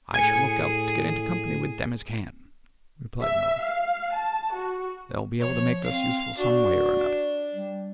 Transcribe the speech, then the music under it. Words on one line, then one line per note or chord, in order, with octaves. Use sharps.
'I shall look out to get into company with them as can,' replied Noah. 'They'll be able to make us useful some way or another.
A2 G#4 G#5 C#7
E5
F5
A5
F#4
F3 C#5
C4 F5
D4 F#4
G3